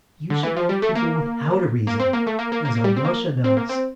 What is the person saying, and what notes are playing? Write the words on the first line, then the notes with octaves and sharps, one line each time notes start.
"You should love people without a reason, as Alyosha does."
D3
E3
F3
G3
A3
A#3
A#3
C4
A#3
A3
A#3
A#3
A#3
A#3
G3
C4
A#3
C4
A#3
C4